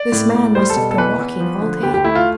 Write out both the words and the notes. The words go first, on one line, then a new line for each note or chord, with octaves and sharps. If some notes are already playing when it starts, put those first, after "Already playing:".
This man must have been walking all day.
Already playing: D5
A2
A2
G3 C5
A4
B2
A4
E2 B4
E2
F3
D3
D2 G4
G4
A3 E4
F4